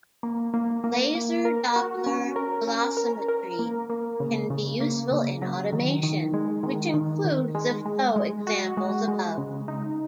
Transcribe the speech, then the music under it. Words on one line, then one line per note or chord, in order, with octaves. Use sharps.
Laser Doppler velocimetry can be useful in automation, which includes the flow examples above.
A#3
A#3
A#3
A#3
A#4
F#4
C#4
A#4
C#4
A#4
A#4
A#3
A#3
C#3
C#3
A#3
C#3
F#3
D#3
D#3
G#3
D#3
D#3
D#3
G#3
G#3
G#3
F#4
G#3
G#3
C#3
D#4